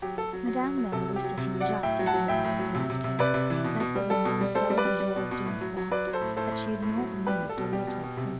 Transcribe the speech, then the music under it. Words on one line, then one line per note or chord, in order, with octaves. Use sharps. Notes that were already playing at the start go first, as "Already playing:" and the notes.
Madame Merle was sitting just as Isabel had left her, like a woman so absorbed in thought that she had not moved a little finger.
F#3 G4
F#3 A4
F#3
F#3
F#3
F#3
C3 A4
F#3
G4
F#3
C3
F#3
D5 F#5
F#3
A2 E5 G5
F#3
F#5 A5
F#3
A2 E5 G5
A2
F#3
C3
C3
C3
C3 B4 D5
C3
E3
B2
B2
G3
G3 A4
B2
G3
G3 A4 C5
G3
B4 D5
G3
G3
B2
B2
A2
F#3
F#3
F#3 B4 D5
F#3
A4 C5
A2
A2 A4 C5
A2
A2
A2
F#3
A2
G3 G4 B4
G3
A4
B2
G3 G4
B2
B2
C3